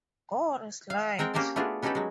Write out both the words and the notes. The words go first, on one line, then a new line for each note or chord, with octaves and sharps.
God is Light.
F5
G#3 C4 A#4 F#5 G5
A#3 C#4 G4 A#4 A5
A3 B3 D4 F4 F#4 G#4
B3 C#4 D#4 G4 A4 B4
F#3 G#3